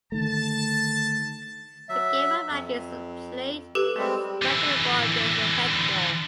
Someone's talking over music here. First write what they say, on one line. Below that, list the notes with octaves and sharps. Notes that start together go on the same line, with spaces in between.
The game of rackets is played by striking a ball against a headwall.
D3 D#3 A3 A5
F#3 E5
F2
G4 A4 B4
G3 G#3 C4
D3 E3